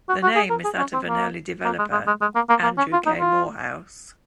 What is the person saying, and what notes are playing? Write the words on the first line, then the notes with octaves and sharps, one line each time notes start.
The name is that of an early developer, Andrew K. Morehouse.
F#4
F#4
G#4
A#4
G#4
C#4
C4
A#3
A#3
G#3
G#3
G#3
G#3
A#3
A#3
A#3
C#4
F4
D#4
F4